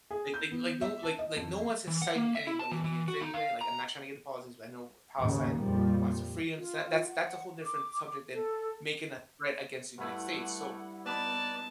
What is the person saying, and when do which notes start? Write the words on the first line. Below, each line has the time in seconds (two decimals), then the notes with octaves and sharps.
like like like no like like one's inciting anybody. I mean, if anybody like, I'm not trying to get to politics, but I know Palestine wants their freedom, so that that's a whole different subject than making a threat against the United States, so,
0.11 G#4
0.34 G6
0.51 B3
0.81 E5
1.03 A5
1.19 D#5
1.36 F2
1.88 E3
2.02 F#5
2.15 A#3
2.35 E5
2.47 E4
2.59 A5
2.72 E3
2.84 E3
3.08 F#4
3.20 D#4
3.34 F5
3.61 A#5
5.21 D#2 G#2 C#3
5.56 F2 A#2 F3 G3
6.56 F4
7.08 F#5
7.63 D6
8.34 A4
9.98 G2 A3 E4 E5 F#5
11.05 B3 D#4 B4 D5 A5